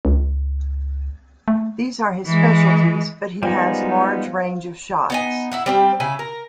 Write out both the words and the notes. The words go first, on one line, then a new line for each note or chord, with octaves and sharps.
These are his specialties, but he has large range of shots.
C#2
A3
E3 G#3
G3 G#3 B3 D#4 F4 C5
B3 D#4 G#5
E4 E5 F#5
G3 C4 G4
C#3 E4 G#5
A#4